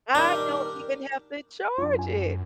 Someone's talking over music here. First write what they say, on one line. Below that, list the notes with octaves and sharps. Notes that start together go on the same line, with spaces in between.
I don't even have to charge it!
G2 A#2 D#3 G3 D4 A#4
F#2 D4 F4
G#5